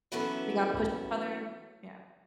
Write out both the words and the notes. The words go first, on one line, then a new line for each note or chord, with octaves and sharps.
we gotta push each other, yeah.
E3 F#3 B3 C#4 E4 A4